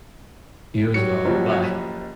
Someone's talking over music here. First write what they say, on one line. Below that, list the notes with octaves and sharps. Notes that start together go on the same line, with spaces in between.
You as well. Bye.
F#3 G3 C#7
F#1 F3 G3